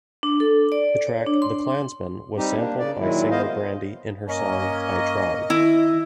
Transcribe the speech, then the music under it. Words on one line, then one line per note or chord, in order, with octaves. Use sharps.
The track "The Clansman" was sampled by singer Brandy in her song "I Tried".
D4
A4
D5
C#5
D4
C6
G3 C4 D#4 G4
A#3 D4
C#3 D5
A#2 D#3 F#3 G#3 E4
B3 C5 D#5 F5
G2 A#3 C#4 D#5
D#3 E4